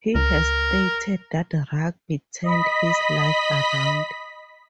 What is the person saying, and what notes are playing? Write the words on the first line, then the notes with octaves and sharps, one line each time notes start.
He has stated that rugby turned his life around.
C#2 A#4
D#5 B5 B6